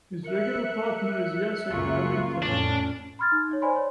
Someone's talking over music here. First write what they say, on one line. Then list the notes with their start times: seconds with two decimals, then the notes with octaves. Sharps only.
His regular partner is Jacek Kalita.
0.24 A#4 E5 F#6 C#7
1.70 C#2 F#2 A#3 F4 C#6
2.42 F2 A2 C#4 D4
3.19 B5 C6 F6 G#6 A6
3.32 D#4
3.49 D#4 C#5
3.62 C5 D5 G#5 B5 C6
3.76 C#5